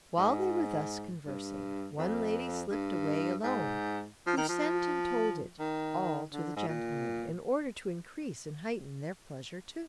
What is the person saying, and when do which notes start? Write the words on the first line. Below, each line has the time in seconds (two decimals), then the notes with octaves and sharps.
While they were thus conversing, one lady slipped away alone, who sent and told it all to the gentlemen, in order to increase and heighten their pleasure too.
0.18 G#2
1.26 G2
1.98 F2
2.70 G2
3.43 G#2
4.26 F3
4.37 D#3
4.49 F3
5.59 D#3
6.32 D3
6.56 G#2
6.68 A#2